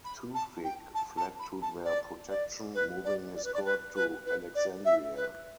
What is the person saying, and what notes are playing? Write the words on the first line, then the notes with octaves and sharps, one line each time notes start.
Tewfik fled to their protection, moving his court to Alexandria.
B5
A5
G5
A5
A5
B5
A5
D5
D5
B4
D5
D5
B4
D5
B4
B4
B4
D5
E5
B4